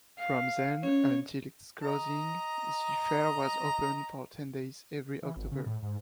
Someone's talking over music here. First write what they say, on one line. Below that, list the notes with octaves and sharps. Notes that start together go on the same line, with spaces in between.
From then until its closing, the fair was open for ten days every October.
F5
C#4 C#5
D#5 A#5
E3
G#1
C#3
A2
G#2